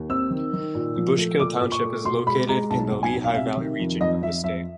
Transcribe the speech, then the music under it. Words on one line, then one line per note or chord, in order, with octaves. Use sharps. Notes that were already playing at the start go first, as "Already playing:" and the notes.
Bushkill Township is located in the Lehigh Valley region of the state.
Already playing: D#2
C4 E6
D#3
D#3
A#2
F3
A3
A#2 D6
A#2
C#6
A3
B2 C6
G#3 B5
G#3 A#5
B1 A5
B1
G#5
B1
F5
C3 E5
D#3
F2
F2 D#5
F2 E5
F2 E5